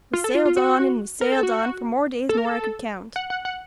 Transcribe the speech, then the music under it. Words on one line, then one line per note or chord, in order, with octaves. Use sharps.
We sailed on, and we sailed on, for more days nor I could count.
F4
A4
F4
F4
F#4
A#4
A4
F#4
A4
A#4
A4
F#5
F#5
F#5